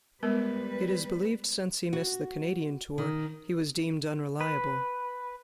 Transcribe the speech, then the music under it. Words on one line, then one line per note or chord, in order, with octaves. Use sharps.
It is believed since he missed the Canadian tour, he was deemed unreliable.
G3 G#3 B3 A#4 B4
F#4
D#3
B4